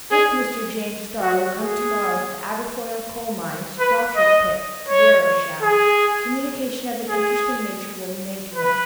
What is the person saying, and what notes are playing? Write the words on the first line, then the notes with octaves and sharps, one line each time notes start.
IF Mr. James Starr will come to-morrow to the Aberfoyle coal-mines, Dochart pit, Yarrow shaft, a communication of an interesting nature will be made to him.
G#4
F#4
G#4
B4
D#5
C#5
G#4
G#4
B4